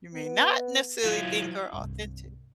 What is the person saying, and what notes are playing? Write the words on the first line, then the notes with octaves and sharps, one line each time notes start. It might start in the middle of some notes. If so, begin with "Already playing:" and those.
you may not necessarily think are authentic.
B3
F#3 E4 F4
C2 G2